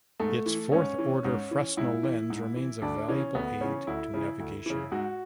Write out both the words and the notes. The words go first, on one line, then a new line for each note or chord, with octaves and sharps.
Its Fourth Order Fresnel lens remains a valuable aid to navigation.
G#2 A3
E3
G#2 C#4
E3
G#2
E3
G#2 E4
E3
G#2
E3
D2 D4
C#3 E3 C#4
D2 B3
C#3 E3 C#4
D2 E4
C#3 E3
D2
C#3 E3
G#2 F#4